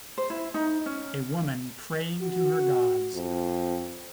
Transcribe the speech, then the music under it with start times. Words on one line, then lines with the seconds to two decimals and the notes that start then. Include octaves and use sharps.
A woman praying to her gods.
0.18 C5
0.30 E4
0.54 D#4
0.86 C#4
2.21 F#4
3.14 F2